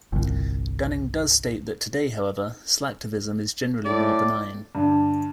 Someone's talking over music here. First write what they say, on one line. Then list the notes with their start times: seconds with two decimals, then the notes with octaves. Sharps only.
Dunning does state that today, however, slacktivism is generally more benign.
0.12 G1 C2
3.85 A2 D5
4.75 G2 D3 D4